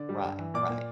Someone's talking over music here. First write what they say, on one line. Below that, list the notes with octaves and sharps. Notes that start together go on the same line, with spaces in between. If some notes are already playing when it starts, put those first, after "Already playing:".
Right, right.
Already playing: D3 D5
G3
G2
E3
A#2 D5 D6
A#2